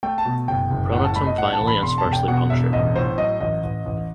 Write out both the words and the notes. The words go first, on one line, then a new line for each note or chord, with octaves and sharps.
Pronotum finely and sparsely punctured.
A3 G5
A5
B2
F#1 G5
F#1
A2 F#5
A5
A3 B5
D#5
A2 F#5
A5
A1
B5
E1 C6
A5
E1
G5
B2 F#5
E1 E5
A1 D#5
A2 C5
F#3 D#5
A1 D#5
A1
A1